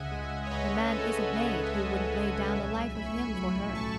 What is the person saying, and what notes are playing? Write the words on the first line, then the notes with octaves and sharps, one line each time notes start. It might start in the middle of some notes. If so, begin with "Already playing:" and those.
The man isn't made who wouldn't lay down the life of him for her.
Already playing: C#2 C#3 D#5 E5 F#5 G#5
G#3
C#5
C#2 B4 D#5
C#2 A4 C#5
C#3 A4 C#5
E5
G#3 B4 D#5
C#2 D#5 F#5
B1 E5 G#5
A2 B5
C#6
G#5 B5
F#3 G#5 B5
A3 A5 C#6